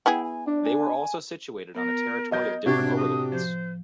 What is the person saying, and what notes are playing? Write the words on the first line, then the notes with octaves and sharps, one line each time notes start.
They were also situated on the territory of different overlords.
B3 E4 G#4 G5
G#5
D4 D5
G#5
B3 A#4
F#3 A#4 D#5 G6
A2 C3 D4 F#4 G4 C#6 G#6 A6
D#6
F3 C5